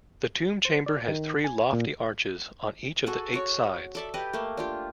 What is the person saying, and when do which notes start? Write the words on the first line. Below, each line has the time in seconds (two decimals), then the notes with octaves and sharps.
The tomb chamber has three lofty arches on each of the eight sides.
0.65 C5
0.86 D5
1.08 D#3
1.44 G#5
1.73 A#2
3.06 F#4 G#4 A4 F#5
3.34 F#4 C#5
3.95 A4 D5 E5
4.14 G4 B4 D#5
4.33 A3 A#3
4.57 D4 F4 G4